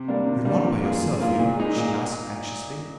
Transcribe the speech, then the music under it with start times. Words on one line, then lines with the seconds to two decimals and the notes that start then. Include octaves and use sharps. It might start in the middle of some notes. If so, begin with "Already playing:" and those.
"You're not by yourself, Hugh?" she asked anxiously.
Already playing: C3
0.08 G3 A#3 D4
0.27 C3
0.45 G3 A#3 D4
0.64 F3
0.83 A#3 F4 G#4
1.02 F3
1.20 A#3 F4 G#4
1.40 A#2
1.58 G#3 D#4 G#4
1.76 A#2